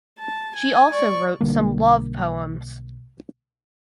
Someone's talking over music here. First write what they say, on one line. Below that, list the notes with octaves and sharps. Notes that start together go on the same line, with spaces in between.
She also wrote some love poems.
A5
G#5
D5 C#6
B1 D3 G3 A#3